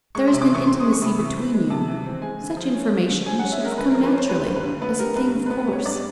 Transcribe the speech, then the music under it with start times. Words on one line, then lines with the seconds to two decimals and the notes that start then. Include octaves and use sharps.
If there has been intimacy between you, such information should have come naturally,--as a thing of course.
0.15 G#3 C#6
0.28 C6
0.33 C3
0.41 D6
0.50 E3 C#6
0.67 C4 C6
0.80 D#6
0.84 G#3
0.93 C#6
1.02 C3 B5
1.18 E3
1.36 C4
1.54 G#3
1.70 C3 A5
1.88 E3
2.05 C4
2.22 G#3 G#5
2.40 D3
2.57 F3
2.74 C#4
2.91 G#3
3.09 D3
3.26 F3 G#5
3.39 F#5
3.44 C#4
3.52 E5
3.60 G#3 A#4
3.78 D3 B4
3.91 F3 A#4
4.03 B4
4.13 C#4 C5
4.29 G3 B4
4.45 G2 C5
4.55 B4
4.64 D3
4.82 B3 B4
4.99 G3 A#4
5.16 G2 B4
5.33 D3
5.46 B3 B4
5.59 B4
5.67 G3
5.73 C#5
5.85 G2 D5